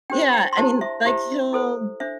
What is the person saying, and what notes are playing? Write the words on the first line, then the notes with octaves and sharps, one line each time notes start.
Yeah, I mean, like, he'll
D4 G4 C5 G5
G5
C6
E4 G4 C5 A5
E5
E4 G4 C5 E5
E4 A4 C5
D4 C5 E5